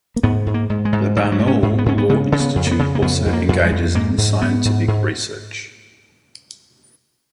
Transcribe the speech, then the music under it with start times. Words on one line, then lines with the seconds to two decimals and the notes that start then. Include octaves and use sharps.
The Barnaul Law Institute also engages in scientific research.
0.16 A#3
0.23 G#2 B3
0.47 G#2
0.54 A#3
0.70 G#2
0.85 G#3
0.93 G#2
1.16 G#2 F#3
1.24 G#3
1.32 F#3
1.39 G#2
1.47 C#4
1.63 G#2
1.78 B3
1.86 G#2 C#4
1.98 B3
2.09 C#3 B3
2.32 C#3
2.40 B3
2.56 F2
2.67 A#3
2.71 B3
2.79 C#3
2.95 A#3
3.02 F2 B3
3.26 F2
3.33 A#3
3.49 F2
3.64 G#3
3.72 F2
3.95 G#2 A#3
4.18 G#2
4.42 G#2 B3
4.65 G#2
4.88 G#2